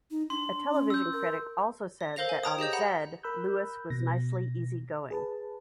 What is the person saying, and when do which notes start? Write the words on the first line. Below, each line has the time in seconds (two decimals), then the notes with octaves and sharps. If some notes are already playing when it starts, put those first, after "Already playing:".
A television critic also said that on "ZeD" Lewis was nicely easygoing.
0.11 D#4
0.30 D4 C6
0.72 C#4
0.90 E6 G6
1.13 A#4
2.01 C#5
2.16 A4 A#4 C5 F5 A#6 F7
2.29 G#5
2.43 C#5 G5 A#5 D#6
2.59 G4 G#4 D#5 G6
2.73 F#5 A#5 B5
3.23 A#4 B5 E6 F#6 G6
3.90 B2 A#6
5.11 G#4 B4 A5